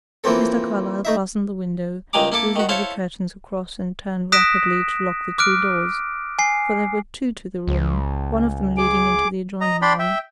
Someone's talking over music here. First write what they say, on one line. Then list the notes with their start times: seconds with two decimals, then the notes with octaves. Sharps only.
Mr. Carlyle fastened the window, drew the heavy curtains across, and turned rapidly to lock the two doors--for there were two to the room, one of them leading into the adjoining one.
0.24 E3 F3 A#3 C4 A4
1.05 A3 D#4 E5
2.13 C#2 D#3 G3 G#5 A#5 D6
2.32 A#3 E4 A4 D6
2.56 D#3 F#4
2.69 E4 A4 C5 C#5 F5
4.32 D#6 F#6 A#6 B6 D7 E7
5.38 D6 F6 F#6 D7
6.39 G#5 C7
7.68 C#2
8.77 G#4 D6
9.61 D#5 A#5
9.82 D4 D5 G5 B5 C6
9.99 E5 G5